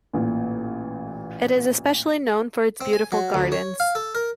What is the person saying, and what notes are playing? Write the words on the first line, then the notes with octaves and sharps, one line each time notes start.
It is especially known for its beautiful gardens.
A1 A#2
C4
G#5
F#3
D2
C#5
F5
A4
A#4